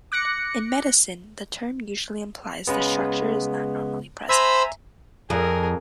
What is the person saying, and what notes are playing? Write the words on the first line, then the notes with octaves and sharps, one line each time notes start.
In medicine, the term usually implies the structure is not normally present.
D6 F#6 A#6 C#7
C#3 G#3 B3
C5 E5 G#5 A#5 B5 E6
F2 G#4 A#4